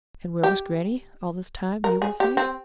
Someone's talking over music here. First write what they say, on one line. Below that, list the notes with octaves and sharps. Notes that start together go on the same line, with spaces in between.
And where was Grannie all this time, you will say?
G4
A#4
G#4
G4
C4